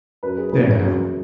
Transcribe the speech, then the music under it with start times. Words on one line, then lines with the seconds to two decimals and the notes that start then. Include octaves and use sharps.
There, now.
0.23 F#2 B4
0.38 G#4
0.53 C#3 E3 B4
0.68 C#5
0.82 F#2